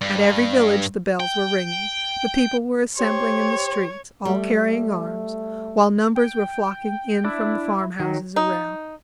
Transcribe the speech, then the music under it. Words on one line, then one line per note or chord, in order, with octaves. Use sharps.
At every village the bells were ringing, the people were assembling in the streets, all carrying arms, while numbers were flocking in from the farmhouses around.
G2
G5
G4 C5 C#5 C6
G3 A3
G5
D4 E4
D#3 F#3
D#4